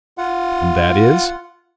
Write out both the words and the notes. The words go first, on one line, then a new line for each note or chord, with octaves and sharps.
"And that is--?"
F4 F#5